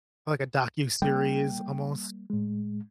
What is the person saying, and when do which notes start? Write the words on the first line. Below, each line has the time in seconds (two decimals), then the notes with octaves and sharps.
Like, a docuseries almost?
1.02 G3 G#3 A#3 G5
2.30 A2 G#3